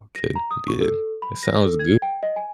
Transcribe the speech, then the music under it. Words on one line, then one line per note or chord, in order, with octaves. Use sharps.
Okay, good. That sounds good,
A#6
A#5
D#6
C#6
A4
B5
A#6
A4
G#6
G5
D#5
G#5